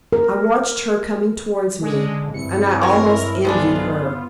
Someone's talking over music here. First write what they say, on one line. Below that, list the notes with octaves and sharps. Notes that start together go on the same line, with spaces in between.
I watched her coming towards me, and I almost envied her.
A#4
D3 G#3
G2 C3 E4 C#7
G4 A#4 C#5
B1 C3 G#3 B3 D4 F4